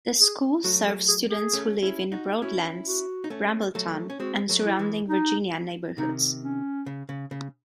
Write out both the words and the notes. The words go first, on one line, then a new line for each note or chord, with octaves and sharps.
The school serves students who live in Broadlands, Brambleton, and surrounding Virginian neighborhoods.
G#4
F#3 A3 F#4
A4
G#4
G#4
A3 C#4
C#4 E4
D#4 F#4
C#4 E4 F#4
F#4
D#4
A3 C#4
F#3 A3
C#4
G#3 C4 F#4
F#3 A3
E4
E3 G#3
D#4
C3 D#3 D#4
C#4
C#3
C#3
C#3